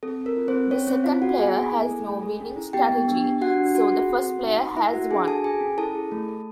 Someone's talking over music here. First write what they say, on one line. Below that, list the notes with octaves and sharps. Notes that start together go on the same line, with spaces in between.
The second player has no winning strategy so the first player has one.
C4 A4
C4
A#4
F4
C4 C5
A4
C4 C#4 C#5
C4 C5
E4 F4 F5
F#4 A4 F#5
B3 G#4 G#5
B3
E4
A4
A3
A4
C#4
E4
B3 G4 G5
B3
D4
G4
D4 F#4 F#5
D4
F4 F#4 F#5
G#4
C4
A4
D#4
F#4
A#3 E4 E5
F#4 A4 F#5
D4 G#4 G#5
F#4 A4 A5
C#4 G#4 G#5
C#4
E4 A4 A5
G#4
A3
A4